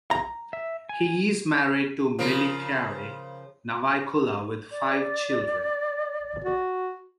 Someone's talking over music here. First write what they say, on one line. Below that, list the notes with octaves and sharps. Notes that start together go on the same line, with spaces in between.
He is married to Miliakere Nawaikula with five children.
A#5
E5
G#5
C#3 F3 A#4
D5
F#4